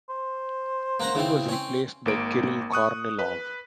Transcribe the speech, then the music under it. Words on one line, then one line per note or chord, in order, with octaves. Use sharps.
He was replaced by Kirill Kornilov.
C5
A#3 F#5 A#5
C#3 E3 C4
C4 C#4
G#1 A#3 D7
C#6 D#6 F#6
B4